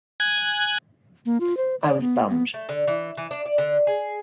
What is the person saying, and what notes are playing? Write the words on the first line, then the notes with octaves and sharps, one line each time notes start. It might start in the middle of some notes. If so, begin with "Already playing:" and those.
I was bummed.
G#5 F#6 G#6
A#3
F4
C5
D5
B3
B3
A3
D3
E3
E3
D4
D5
D3
G#4